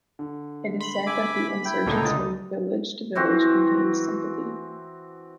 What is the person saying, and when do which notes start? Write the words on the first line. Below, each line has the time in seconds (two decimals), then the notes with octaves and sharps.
It is said that the insurgents moved village to village and gained sympathy.
0.19 D3
0.80 B5 C6
1.07 E5 G#5 D6
1.65 E4 G5
1.86 C#2 A#2 D3 A3 D#4
2.01 D#6 A6
3.15 E3 C4 F#4